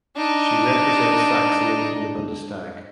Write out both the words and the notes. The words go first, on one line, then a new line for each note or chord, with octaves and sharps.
She represents Saxony in the Bundestag.
D4 D#4